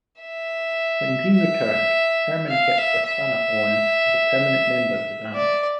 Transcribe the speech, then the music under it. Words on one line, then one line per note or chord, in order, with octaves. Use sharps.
When Green returned, Herman kept Fontana on as a permanent member of the band.
E5
E5
F5
E5
E5
D5